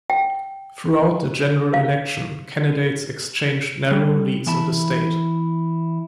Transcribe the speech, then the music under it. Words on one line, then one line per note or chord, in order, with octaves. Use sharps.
Throughout the general election, candidates exchanged narrow leads in the state.
G5
F5
G3
E3 B3 E4 A5 B5